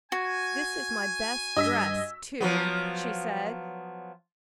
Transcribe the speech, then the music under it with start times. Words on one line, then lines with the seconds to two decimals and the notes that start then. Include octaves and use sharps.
"This is my best dress, too," she said.
0.12 F#4 G#5
1.57 G2 D#5 E6 B6
2.41 F3 F#3 B3